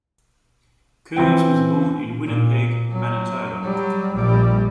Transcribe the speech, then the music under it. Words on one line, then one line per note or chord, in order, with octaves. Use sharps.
Coons was born in Winnipeg, Manitoba.
E3 C4 G5
A#2
F#3
F#3 G3
A#1 G3